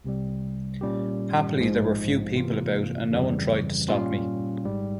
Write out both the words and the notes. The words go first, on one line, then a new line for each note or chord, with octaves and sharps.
Happily there were few people about and no one tried to stop me.
C2 C3 G3
A#2 G3 C#4 G4
A#1 G#2 F3 G#3
C3 E3 A#3 F4
F2 C#3 E3 G3
A#2 G3 C#4 F4
G#1 G#2 G3